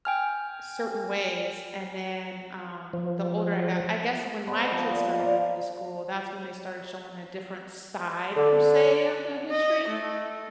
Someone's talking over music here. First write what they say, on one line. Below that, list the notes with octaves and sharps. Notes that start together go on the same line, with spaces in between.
certain ways, and then, um, the older I got I guess when my kids started going to school, that's when they started showing a different side, per se, of the history,
G5 G#5 F6
F3
B3 A4 C5 D#5
F3 B4
A#2
C5 D5 F5 A#5
D3
D#5
A3